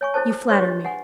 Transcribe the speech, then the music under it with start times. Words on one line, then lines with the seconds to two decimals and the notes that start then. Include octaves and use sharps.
"You flatter me!"
0.01 C#5 G#5 C#6
0.14 E4 A4 C5 A5
0.31 A4
0.49 D4 G#4 B4 C#5 C6 C#6
0.61 G4 D#5
0.85 F#5 G#5